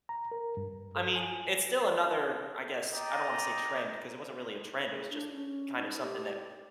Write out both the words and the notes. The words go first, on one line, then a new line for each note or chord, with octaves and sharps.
I mean, it's still another, I guess, I don't wanna say trend, 'cause it wasn't really a trend, it was just kind of something that
A#5
A#4
G2
A4
G#5
D5 D#5 G5 A#5
G#4
D4
C#4
D#4
G4
G4